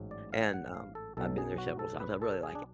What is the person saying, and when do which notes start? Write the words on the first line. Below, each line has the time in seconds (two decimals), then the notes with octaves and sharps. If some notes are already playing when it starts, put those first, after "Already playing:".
and, um, I've been there several times, I really like it.
Already playing: A1 G#2 F#3
0.11 D5
0.33 F5
0.54 F#5
0.74 F5
0.95 A4
1.17 B1 B2 F#3 A4
1.38 G#4
1.58 F#4
1.79 A4
2.00 B4
2.22 A4
2.43 G#4
2.55 D4